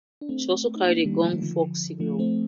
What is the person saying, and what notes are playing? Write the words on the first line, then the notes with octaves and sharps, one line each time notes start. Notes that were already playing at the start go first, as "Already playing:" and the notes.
She also carried a gong fog signal.
D4
A3 C4
D#4
A#3 D4
D#3 G3
F3
D#3
D3 F3
F3 A3
A3 C4